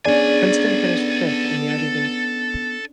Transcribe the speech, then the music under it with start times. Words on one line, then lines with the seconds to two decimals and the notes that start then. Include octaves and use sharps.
Princeton finished fifth in the Ivy League.
0.05 B3 C#4 D4 G#4 A4 D5 G#5